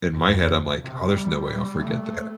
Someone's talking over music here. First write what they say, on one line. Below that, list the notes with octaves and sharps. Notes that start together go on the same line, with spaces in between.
in my head, I'm like, "Oh, there's no way I'll forget that,"
F2
C3
G3
G3
A3
A3